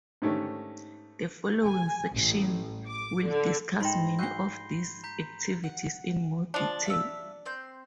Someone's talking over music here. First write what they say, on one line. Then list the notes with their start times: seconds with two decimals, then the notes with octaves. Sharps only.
The following section will discuss many of these activities in more detail.
0.22 G#2 D3 D#3 A3 C#4 G4
1.63 G#5
2.12 A1
2.88 D6
3.25 D3
3.80 G#2 D#4 C5 D#5 G5 B5 C6 A#6
4.19 D4 F#4 D#5 E6 G6 C7 G7
5.04 A#5 G6 B6
5.64 F#5
6.54 F3 D4
6.86 E5 F5 E6
7.46 C4 C6 G6